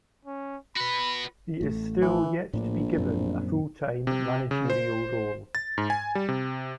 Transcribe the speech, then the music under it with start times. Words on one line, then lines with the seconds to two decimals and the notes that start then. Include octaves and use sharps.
He is still yet to be given a full-time managerial role.
0.25 C#4
0.77 F#4 B4 B5
1.61 A1 A3
2.02 E3
2.53 A#1 A2 D4
2.98 F#2 A#2 C4
4.07 C3
4.51 C#3
4.70 C5
5.55 A6
5.78 G#2
5.90 G#5
6.15 G3
6.29 C3